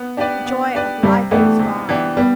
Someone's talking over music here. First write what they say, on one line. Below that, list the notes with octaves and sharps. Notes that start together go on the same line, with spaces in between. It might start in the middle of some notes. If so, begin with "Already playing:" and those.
The joy of life was gone.
Already playing: B3
D4 G4 B4 D5
B3
D4 G4 B4 D5
C3 G3
E3 A3 B3 D4 G4
C3
E3 B3 D4 G4
G3 B3